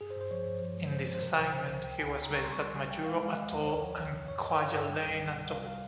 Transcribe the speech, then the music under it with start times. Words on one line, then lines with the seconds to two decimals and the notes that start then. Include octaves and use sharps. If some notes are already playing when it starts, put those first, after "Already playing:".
In this assignment he was based at Majuro Atoll and Kwajalein Atoll.
0.01 G2 G#4
0.10 C5
0.16 G2
0.21 C5
0.31 F3 C#5
0.46 G2
0.61 F3
0.77 G#3
0.92 F3 C5
1.07 F3
1.15 C5
1.22 C3 A#4
1.38 C2
1.53 D#3 C5
1.68 C2
1.84 C#2 G5
1.99 C#2 G#5
2.14 C#3
2.25 A#5
2.30 G3
2.35 C#6
2.45 C2 C6
2.52 C#6
2.60 G3 C6
2.75 G3 G#5
2.91 G3 G5
3.06 G#3 F5
3.22 G#3 F5
3.36 G#3 D#5
3.52 D#2
3.61 C5
3.67 C2 C#5
3.82 F3
3.98 C2
4.13 C3
4.28 G2 C#5
4.43 G2 D#5
4.59 D#3 F5
4.69 F5
4.74 G2 G5
4.89 G3
5.04 C2
5.20 C2
5.35 C3
5.50 G3 F5
5.66 F5